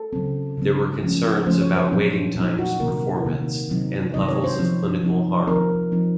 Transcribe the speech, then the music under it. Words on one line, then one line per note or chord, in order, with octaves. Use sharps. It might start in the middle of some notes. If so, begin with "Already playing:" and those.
There were concerns about waiting times performance, and levels of clinical harm.
Already playing: A4
C#3 F#3 C4
C#3 F#3 C4
F3 A3 C#4
F3 A3 C#4 C5
C#5
C5
A#2 F#3 C4 D#4
A#2 F#3 C4 D#4
F#4
C3 D#3 A#3 A#4
C3 D#3 A#3
C3 D#3 F#3 C4 D#4
C3 D#3 F#3 C4 D#4 D#5
C#5
C5
F3 C4 D#4
F3 C4 D#4
F3 C4 D#4 A#4
F3 C4 D#4